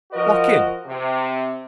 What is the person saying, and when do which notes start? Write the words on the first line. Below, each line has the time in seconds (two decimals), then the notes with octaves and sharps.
Walk in.
0.12 F3 F#4 A#4 D#5
0.85 C3